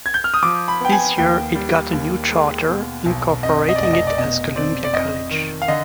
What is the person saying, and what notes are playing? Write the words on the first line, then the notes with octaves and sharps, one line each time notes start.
This year it got a new charter, incorporating it as Columbia College.
G#6
G6
F6
D#6
F3 D6
B5
B3 G5
G#5
D#2 G5
G3
D#2
G#3
B2
B1
F2 D#5
D#5
D5
F1 D#5
D#5
D5
B2 D#5
C4 D5
D5
F2 D#5
D#3
F5
D3 D#5